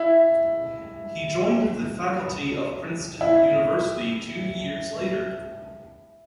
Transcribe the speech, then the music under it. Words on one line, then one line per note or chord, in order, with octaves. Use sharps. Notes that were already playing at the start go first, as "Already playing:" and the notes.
He joined the faculty of Princeton University two years later.
Already playing: E4
E4